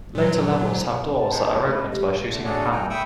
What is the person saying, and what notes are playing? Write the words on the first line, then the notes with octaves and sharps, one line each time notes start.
Later levels have doors that are opened by shooting a panel.
A#2 F#3
A5
D#3 G#3 G#4 C5
G2
A3 B5
D#5
G4
E2 D3 A3
D4 F#4 G#4 A4 C#5 D5
D#4 F#4 A4 G5 G#5 A#5
E5 G5 B5 C#6 D#6 E6